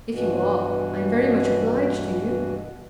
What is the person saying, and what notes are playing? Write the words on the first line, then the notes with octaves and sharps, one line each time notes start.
If you are, I'm very much obliged to you.'
G2 B2 E3